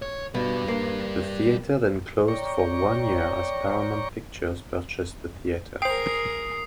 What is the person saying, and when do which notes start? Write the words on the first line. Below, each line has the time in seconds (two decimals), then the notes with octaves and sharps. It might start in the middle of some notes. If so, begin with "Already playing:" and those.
The theater then closed for one year as Paramount Pictures purchased the theater.
0.02 C#5
0.35 B2 G3 B4
0.68 A#3
2.28 C#5 D5 G5 A#5 C#6
5.82 G#4 A#4 C5 G5 D#6 C7